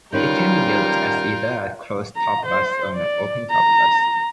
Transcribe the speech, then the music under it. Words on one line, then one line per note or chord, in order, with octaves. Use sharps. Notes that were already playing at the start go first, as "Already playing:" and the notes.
It can be built as either a closed top bus or an open-top bus.
D#3 G3 C#4 F4 A#4 B4 G6
A#5
C5
D5
A#5